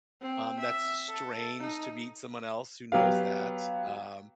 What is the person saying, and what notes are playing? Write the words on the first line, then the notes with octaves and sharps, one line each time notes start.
um, that's strange to meet someone else who knows that, um,
C4
E5
A4
D#4
F#3 B3 G4 F5